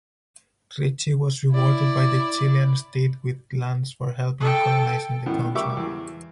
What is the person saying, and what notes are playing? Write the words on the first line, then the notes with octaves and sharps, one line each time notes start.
Ricci was rewarded by the Chilean state with lands for helping colonizing the country.
E4 D5
A4 G5
A2 D#3 B3
G3 A#4 E5 C#6 D6
E2